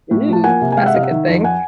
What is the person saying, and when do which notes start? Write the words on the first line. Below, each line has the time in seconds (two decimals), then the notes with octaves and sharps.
Ooh, that's a good thing.
0.11 A2
0.28 F3 A5
0.44 A#3 F#5 G#5
0.61 C3
0.72 G#5
0.77 G#3 F5 G5
0.86 E5 F#5
0.94 C3 D#5 F5
1.03 E5 F#5
1.11 D#3
1.28 F2
1.44 F#5 G#5